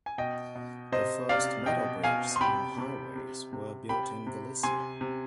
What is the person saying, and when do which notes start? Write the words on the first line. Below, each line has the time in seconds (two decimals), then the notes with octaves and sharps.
The first metal bridges on highways were built in Galicia.
0.06 G#5
0.18 B2 D#5 G5
0.55 B2
0.92 C3 C5 D#5
1.29 C3 D5 F5
1.66 B2 D#5 G5
2.03 B2 F5 G#5
2.36 C6
2.41 C3 G5 B5
2.78 C3
3.15 C3
3.53 C3
3.89 C3 G5 B5
4.27 C3
4.63 C3 G#5 C6
5.01 C3